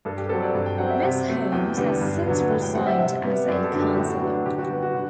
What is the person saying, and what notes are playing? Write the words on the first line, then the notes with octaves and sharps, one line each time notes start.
Ms. Holmes has since resigned as a councillor.
G2 A4
G4
F#3 C4 A4
D5
G2
G5
F#3 C4 F#5
E5
C3
F#3 A3
E2 G5
D3 G3 B3
G2
D3 F#3 B3
A2 G5
G5
G3 C4 F#5
E5
C3 E5
G3 B3
F#2 D5
A4
D3 F#3 B3 D4
G4
A2 F#4
F#3 B3 D4
D3 G4
F#4
G3 B3 F#4
F#4
D3